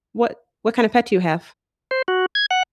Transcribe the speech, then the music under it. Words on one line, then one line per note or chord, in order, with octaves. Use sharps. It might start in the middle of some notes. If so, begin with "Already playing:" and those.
what what kinda pet do you have,
C5
F#4
G#6
F#5